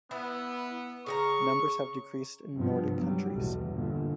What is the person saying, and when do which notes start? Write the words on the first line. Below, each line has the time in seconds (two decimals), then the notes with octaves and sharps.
Numbers have decreased in Nordic countries.
0.11 B3 E4
1.06 C#3 G#4 A#5 C#6
2.54 G2 C3 F3 B3
2.94 F#3 G3
3.34 B1 E2 A2
3.68 G1 A#2